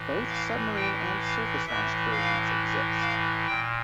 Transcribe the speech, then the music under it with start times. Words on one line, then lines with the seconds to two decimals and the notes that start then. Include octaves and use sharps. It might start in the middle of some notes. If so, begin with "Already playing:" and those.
Both submarine- and surface-launched versions exist.
Already playing: A2 E3
0.30 F5
0.76 G5
1.21 F5
1.66 A2 E3 E5
2.11 F5
3.01 F5
3.47 A#2 G5